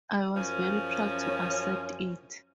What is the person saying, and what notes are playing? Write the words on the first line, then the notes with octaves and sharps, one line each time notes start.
I was very proud to accept it.
F#2 F3 C#4